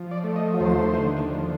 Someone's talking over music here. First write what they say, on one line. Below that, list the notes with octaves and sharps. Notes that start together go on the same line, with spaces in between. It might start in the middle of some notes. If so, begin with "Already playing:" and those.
Or they think,
Already playing: F3
D5
A3
D#5
D#2 C5
D3
F3